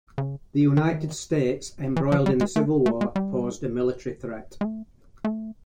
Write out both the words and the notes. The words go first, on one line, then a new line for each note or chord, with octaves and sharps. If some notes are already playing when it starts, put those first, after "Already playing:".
The United States, embroiled in the Civil War, posed a military threat.
C#3
D#3
E3
F3
G3
G#3
A3
A3
G#3
G3
G#3
A3
A3